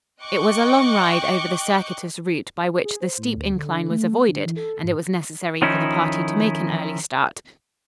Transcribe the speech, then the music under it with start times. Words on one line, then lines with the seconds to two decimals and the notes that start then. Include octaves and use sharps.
It was a long ride over the circuitous route by which the steep incline was avoided and it was necessary for the party to make an early start.
0.24 D#5 G5 C#6 D6 F#6 G6
2.85 G#4
3.01 C5
3.18 A2
3.35 D2
3.55 D3
3.90 A3
4.28 D3
4.45 E3
4.56 A4
4.83 G#2
5.62 D#3 F3 C#4 D#4 E4